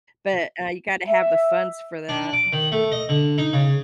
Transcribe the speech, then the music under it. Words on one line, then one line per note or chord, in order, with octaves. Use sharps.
but uh you gotta have the funds for that.
E5
D4
D6
D#3
A3
D#5
D3
D#4
C#3